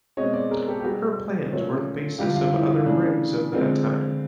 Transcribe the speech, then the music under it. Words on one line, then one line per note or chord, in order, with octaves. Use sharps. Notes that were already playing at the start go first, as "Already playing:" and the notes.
Her plans were the basis of other brigs of that time.
B2 G#3 C4 C#5 D#5
C5 D5
G#4 A#4
G4 A4
G4
B2 G3 B3 F#4 G#4
A#2 F#3 A3 C#4
G2 D3 F3 F4 G4
F4
E4
F4
C#3 E3 A3 D4
D3 F3 G#3 C4